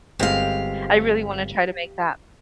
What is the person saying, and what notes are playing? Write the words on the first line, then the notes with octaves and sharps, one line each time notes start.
I really wanna try to make that.
G1 G#3 C4 G4 F5